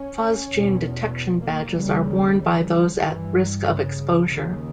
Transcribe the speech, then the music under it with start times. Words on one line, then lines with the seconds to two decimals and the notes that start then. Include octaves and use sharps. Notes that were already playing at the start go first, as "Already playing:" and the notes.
Phosgene detection badges are worn by those at risk of exposure.
Already playing: C#4
0.51 E2 B2
1.44 A#3
1.75 D#2 C#3 G3
3.00 G2 E3
3.63 C#3
4.26 D#2 C#3